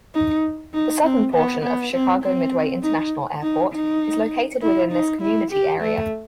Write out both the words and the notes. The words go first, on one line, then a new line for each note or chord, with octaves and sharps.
The southern portion of Chicago Midway International Airport is located within this community area.
D#4
D#4
C4
B3
B3
C4
C4
D#4
D#4
D#4
E4
D#4
E4
G4
A3